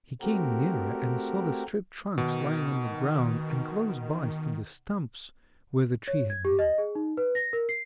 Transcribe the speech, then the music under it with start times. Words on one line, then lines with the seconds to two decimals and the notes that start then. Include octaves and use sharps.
He came nearer, and saw the stripped trunks lying on the ground, and close by stood the stumps, where the tree had been.
0.22 A3 C4 F#4 G4 A#4
2.18 B2 D#3
6.08 C#5
6.30 G#6
6.45 G4
6.59 D#5
6.78 G#4
6.95 D#4
7.17 B4
7.35 A#6
7.53 A#4
7.69 C7